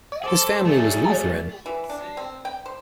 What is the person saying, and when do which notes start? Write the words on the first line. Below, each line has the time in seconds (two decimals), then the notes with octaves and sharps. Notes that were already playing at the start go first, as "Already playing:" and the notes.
His family was Lutheran.
0.24 G#4 A4 C5 D6
0.65 F#3 A3 G#4 D5
1.66 E3
1.89 D4
2.17 C4
2.45 G5
2.66 C5